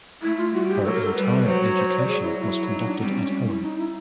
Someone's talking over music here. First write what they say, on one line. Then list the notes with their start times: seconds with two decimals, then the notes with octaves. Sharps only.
Her entire education was conducted at home.
0.22 A3 E4
0.37 F4
0.53 G3 F#4
0.69 G4
0.84 F#3 A4
0.94 A#4
1.05 A4
1.15 G3 B4
1.46 F#3 C5
1.61 C#5
1.77 C5
1.87 C#5
1.97 D5
2.07 F#3 G#4
2.23 E4
2.39 E4
2.70 D#4
2.86 D4
3.00 G3 C4
3.10 C#4
3.21 C#4
3.47 E4
3.62 D#4
3.78 E4